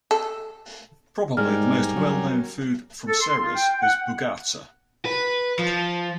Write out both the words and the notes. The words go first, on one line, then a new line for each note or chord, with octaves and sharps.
Probably the most well-known food from Serres is Bougatsa.
A4
G#2 G3 G#3 A#4 D5 G#5 F6
F#2 F#3
A4
C6
F4
G5
F#5
B4
F3